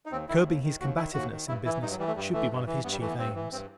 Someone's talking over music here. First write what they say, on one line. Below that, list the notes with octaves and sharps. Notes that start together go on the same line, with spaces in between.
Curbing his combativeness in business should be one of his chief aims.
D#4
D#2 C4
D#3 E4
D#2
D#3
D#2 F#4
D#3 E4
D#2 F#4
D#3
G2 E4
E3 E4
G2 D#4
F#3
E3 G3
A3
G2 G3
E3 A3
G2
E3
G2 B3
G3
E3 A3
B3
G2 C4
E3
G2 C4